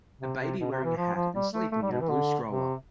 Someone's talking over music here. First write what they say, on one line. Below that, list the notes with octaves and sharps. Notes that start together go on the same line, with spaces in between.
A baby wearing a hat and sleeping in a blue stroller.
C3
C3
B2
C3
E3
F3
F3
G3
A3
A3
G3
B2
E3
D3
C3